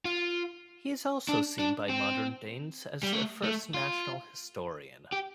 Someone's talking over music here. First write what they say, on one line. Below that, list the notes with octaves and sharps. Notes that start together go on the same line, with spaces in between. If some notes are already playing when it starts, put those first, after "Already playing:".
He is also seen by modern Danes as their first national historian.
F4
D4
D4
C4
G3
A3
A3
F4
G4